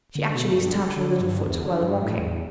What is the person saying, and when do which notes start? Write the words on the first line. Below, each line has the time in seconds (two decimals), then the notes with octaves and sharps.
She actually stamped her little foot while walking.
0.15 D3
0.35 B2
0.52 G2
0.72 D3
0.96 D3
1.21 G2
1.46 E2
1.64 D3
1.83 G2
2.01 A2
2.19 E2